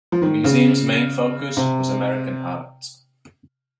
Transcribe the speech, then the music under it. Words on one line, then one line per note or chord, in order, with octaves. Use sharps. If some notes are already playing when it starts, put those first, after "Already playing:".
The museum's main focus was American art.
F3
D#3
C#3
C3